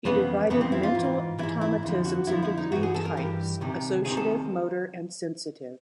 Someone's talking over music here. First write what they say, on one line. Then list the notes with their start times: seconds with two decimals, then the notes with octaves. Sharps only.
He divided mental automatisms into three types: associative, motor and sensitive.
0.05 F2 C#3 E3 B3
0.50 F2 C#3 E3 B3
0.61 C4
0.72 E4
0.83 F4
0.95 G#2 E3
1.39 G#2 E3 E4
1.61 E4
1.83 F2 D3 F3
2.05 F#4
2.27 F2 D3 F3 E4
2.43 E4
2.58 D#4
2.72 G2 E3 F#4
2.83 G#4
2.94 A4
3.05 A#4
3.17 G2 E3 G4
3.61 C2 C3 D#3
4.05 C2 C3 D#3 G#4
4.17 A4